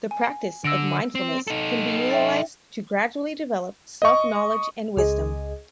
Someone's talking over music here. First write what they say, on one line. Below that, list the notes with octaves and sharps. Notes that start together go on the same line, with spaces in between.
The practice of mindfulness can be utilized to gradually develop self-knowledge and wisdom.
G#5
D3 E6 A#6 D7
C4
D#4 A4
E5 G5 A6
D#5 C#6
C#2 G#4 D#5